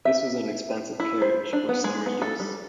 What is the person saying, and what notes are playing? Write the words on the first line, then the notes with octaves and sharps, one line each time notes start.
This was an expensive carriage for summer use.
E5
E4
C5
D4
B3
G#3
B3
A4
G3